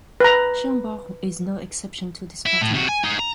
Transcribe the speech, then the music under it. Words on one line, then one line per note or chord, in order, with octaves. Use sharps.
Chambord is no exception to this pattern.
B4 A#5
E4
A2
C3 F#4
G#5
D#4 G#4
A#5